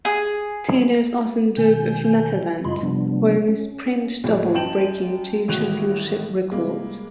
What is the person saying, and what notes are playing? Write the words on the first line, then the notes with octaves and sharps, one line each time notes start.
Tinus Osendarp of the Netherlands won a sprint double, breaking two championship records.
G#4
B2 D#3 G#5 G6
F#2 C#3 F4 D#5 B5 C6
C3 F3 G3 B3 D4
C#4
D2 A2 F3 F#3 G#3 A#3
F#2 D#5 G5 A5 E7 F#7
A1 A2 D#3 F#4 F#6 F7
C3 G3 G#3 A#3